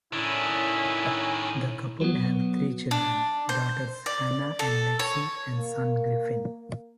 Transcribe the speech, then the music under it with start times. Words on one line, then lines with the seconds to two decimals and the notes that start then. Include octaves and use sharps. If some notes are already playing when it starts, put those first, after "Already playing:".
The couple have three children; daughters Hannah and Lexie and son Griffin.
0.13 A2 D#3 C#4 D4 E4
2.01 F#3 B3
2.91 D4
3.49 C5
4.06 D5
4.59 A4
4.99 C#5
5.57 A#3